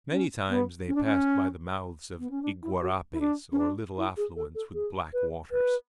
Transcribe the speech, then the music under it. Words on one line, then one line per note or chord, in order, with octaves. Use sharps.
Many times they passed by the mouths of iguarapes, or little affluents, with black waters.
C#4
B3
C#4
D4
C#4
B3
C#4
D4
E4
F#4
E4
D4
C#4
D4
E4
G#4
A4
A4
G#4
B4
B4